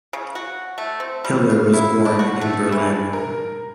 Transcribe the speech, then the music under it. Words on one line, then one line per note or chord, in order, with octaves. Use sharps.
Hiller was born in Berlin.
C#3
F#4
A3
C4
G3
F4
E4
D4
F#4
A3
E3
A#4